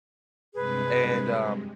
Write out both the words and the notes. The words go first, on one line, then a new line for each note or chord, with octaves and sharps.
And, um,
G2 C3 G#3 G#4 B4